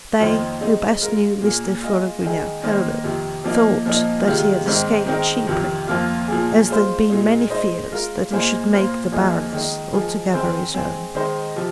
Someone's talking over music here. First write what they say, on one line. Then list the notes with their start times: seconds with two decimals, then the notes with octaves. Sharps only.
They who best knew Mr. Philogunac Coelebs thought that he had escaped cheaply, as there had been many fears that he should make the Baroness altogether his own.
0.20 F2 D#3 A#3 D#4 C5
0.60 G#3 C4 D#4
1.01 G#3 F4 A#4
1.42 A#2 A#3 G#4
1.82 G#3 F4 G#4 D#5
2.23 D#3 G#3 D#4 G#4
2.63 D#3 A#3 D#4 C5 D#5
3.04 F2 C3 D#3
3.44 F3 A#3 D#4
3.85 A#2 F3 A#3 D#4
4.26 C3 D#3 G#3 F4
4.66 G#2 D#3 C4 D#4
5.06 D#3 G#3 C4 D#4 A#4
5.47 F2 C3 D#3
5.87 F2 F3 A#3 F4
6.28 A#2 F3 A#3 G#4
6.69 G#3 F4 C5
7.10 A#2 G#3 D#4
7.50 G#3 D#4 C5 D#5
7.90 G#3 F4 A#4
8.31 A#2 A#3 D#4 G#4 C5
8.71 A#2 A#3 F4 C5
9.12 F2 F3 A#3 D#4 G#4
9.52 D#3 G#3 D#4
9.93 F3 G#3 D#4 G#4
10.33 D#3 C4 G#4 C5
10.74 G#3 C4 G#4
11.15 D#3 G#3 D#4 C5 D#5
11.56 C3 F3